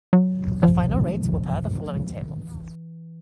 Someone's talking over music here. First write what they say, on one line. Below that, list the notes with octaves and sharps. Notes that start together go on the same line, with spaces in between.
The final rates were per the following table.
F#3
F3
E3
D#3
E3